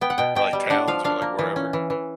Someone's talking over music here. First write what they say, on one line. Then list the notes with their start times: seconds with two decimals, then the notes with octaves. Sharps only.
or, like, towns or, like, wherever,
0.01 B3 G5
0.10 F#5
0.18 B2 G5
0.35 B2 G5
0.53 G3
0.70 D4 F#5
0.88 F3 F5
1.04 D4 F5
1.22 A#3
1.39 E3
1.56 C#4
1.73 E3
1.90 E3